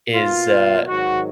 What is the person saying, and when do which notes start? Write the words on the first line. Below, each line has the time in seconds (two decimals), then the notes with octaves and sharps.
is, uh
0.14 B2 A#3 F4
0.87 G#2 D#3 F#3 F#4